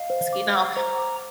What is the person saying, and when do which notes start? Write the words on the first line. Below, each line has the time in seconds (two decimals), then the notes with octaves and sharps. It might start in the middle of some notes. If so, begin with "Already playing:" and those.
you know?
Already playing: D#5 F5
0.10 C5
0.33 D6
0.55 D6
0.76 C5 A#5
0.98 D6